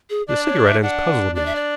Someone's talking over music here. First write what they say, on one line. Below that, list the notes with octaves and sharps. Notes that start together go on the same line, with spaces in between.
The cigarette-ends puzzled me.
G#4
D4 D5
C#5
E5
D4 F#5
D4 D5
E5
D5